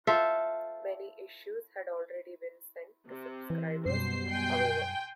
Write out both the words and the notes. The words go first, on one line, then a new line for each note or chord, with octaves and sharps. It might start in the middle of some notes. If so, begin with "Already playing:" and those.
Many issues had already been sent to subscribers, however.
F4 A4 C5 E5
C3
E3
F#2 B2 G3 C5 C7
G5 G#5 C6